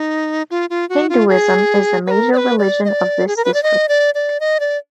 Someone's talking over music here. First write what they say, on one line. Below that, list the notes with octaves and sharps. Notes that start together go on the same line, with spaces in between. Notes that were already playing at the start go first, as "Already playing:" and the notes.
Hinduism is the major religion of this district.
Already playing: D#4
F4
F4
F#4
F4
G#4
B4
A#4
D5
B4
D5
D#5
D5
G#4
A#4
B4
D5
D#5
D5
D5
D#5
D5